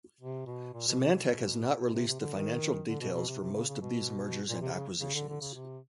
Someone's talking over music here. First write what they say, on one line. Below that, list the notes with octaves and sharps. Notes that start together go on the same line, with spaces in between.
Symantec has not released the financial details for most of these mergers and acquisitions.
C3
B2
A#2
B2
C3
B2
B2
C3
C3
D3
D#3
D3
B2
B2
C3
C3
C#3
C#3
B2
A#2
C3
C#3
C#3
D3
D3
C#3
C3